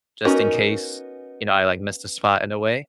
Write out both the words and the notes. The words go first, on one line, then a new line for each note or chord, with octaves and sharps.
just in case, you know, I, like, missed a spot in a way;
B3 C#4 D#4 F#4 A#4